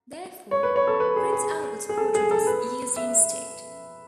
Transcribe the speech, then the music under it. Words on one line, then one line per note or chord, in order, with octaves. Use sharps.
Therefore, Prince Albert's portrait was used instead.
C#5
B4
C#5
A4
B4
G#4
G#4
G#4
A4
G#4
A4
B4
E5